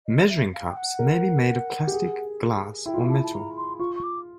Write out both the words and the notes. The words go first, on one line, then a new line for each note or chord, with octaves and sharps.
Measuring cups may be made of plastic, glass, or metal.
D#5
E5
F5
G5
F#5
A#4
G4
G#4
E4 G5
F4
E4
A5
A5
A#5
C6
F4 C#6
C#6
D6